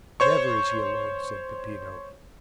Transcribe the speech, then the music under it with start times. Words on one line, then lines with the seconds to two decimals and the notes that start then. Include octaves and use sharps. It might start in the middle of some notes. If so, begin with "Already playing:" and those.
"Never is he alone," said Peppino.
0.20 C5 C#5 C#6